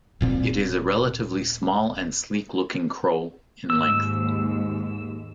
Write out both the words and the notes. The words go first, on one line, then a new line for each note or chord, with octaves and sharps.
It is a relatively small and sleek looking crow, in length.
D#1 A#2 C4
D#2 G#2 E6